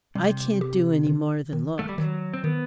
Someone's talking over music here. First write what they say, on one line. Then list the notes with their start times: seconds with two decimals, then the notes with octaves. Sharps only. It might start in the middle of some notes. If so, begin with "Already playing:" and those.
"I can't do any more than look."
0.15 C3 G3
0.61 G4
1.07 D#3
1.53 D#3
1.79 A3
1.89 G3
1.98 D#3 F#3
2.34 C4
2.44 D#3 B3